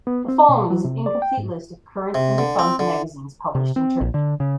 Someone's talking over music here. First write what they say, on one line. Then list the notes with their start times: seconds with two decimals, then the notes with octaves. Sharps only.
The following is an incomplete list of current and defunct magazines published in Turkey.
0.07 B3
0.28 C4
0.49 B2
0.70 F#3
0.84 C3
1.06 D5
1.22 G5
1.37 G#2
2.14 C3
2.38 D3
2.59 C4
2.79 D3
3.55 C3
3.76 C4
4.01 A#1
4.14 D3
4.40 C#3